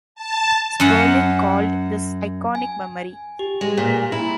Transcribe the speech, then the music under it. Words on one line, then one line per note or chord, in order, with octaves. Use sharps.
Sperling called this iconic memory.
A5
F#2 F#5
G#5
G4
G#3
A#2
E4 A#5